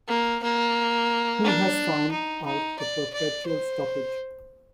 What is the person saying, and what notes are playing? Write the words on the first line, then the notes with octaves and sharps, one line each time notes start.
Who has found out the perpetual stoppage?
A#3
A#3
D4
D#4
D#4
D5
D5
C5